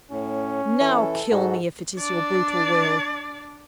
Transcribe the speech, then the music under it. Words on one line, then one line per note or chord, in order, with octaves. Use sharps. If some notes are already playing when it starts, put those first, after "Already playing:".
'Now kill me, if it is your brutal will.
A2 C#4
E3 A4
G#2 F#4
D4 D5